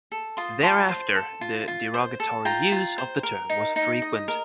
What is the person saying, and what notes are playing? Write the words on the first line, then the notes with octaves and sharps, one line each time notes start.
Thereafter, the derogatory use of the term was frequent.
A4
F4 C6 D#6
F4 A5 C6
C5
A4
F4
F4
C5
A4
F4 G5 A#5
F4
C5
A#4
D#4
D#4
D#5
A#4